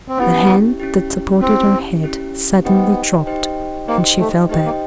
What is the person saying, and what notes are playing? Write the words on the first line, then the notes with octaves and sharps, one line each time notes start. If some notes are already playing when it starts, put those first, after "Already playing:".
The hand that supported her head suddenly dropped, and she fell back.
C4
B3 C#4 E4 G4
C#4 E4 G4
C4 C#4 E4 G4
C#4 E4 G4
B3 D#4 G4 C5 D#5 G5
D#4 G4 C5 D#5 G5
A#3 D#4 G4 C5 D#5 G5
A3
A3 D#4 G4 C5 D#5 G5
A#3